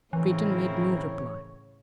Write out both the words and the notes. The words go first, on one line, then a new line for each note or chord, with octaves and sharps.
Breton made no reply.
A2 C#3 E3 C4 E4 A#4 C#5